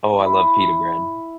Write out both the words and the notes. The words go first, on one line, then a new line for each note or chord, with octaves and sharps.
Oh, I love pita bread.
E4